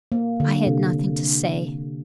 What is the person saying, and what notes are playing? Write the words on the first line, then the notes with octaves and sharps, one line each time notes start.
I had nothing to say.
A#3
D3
C3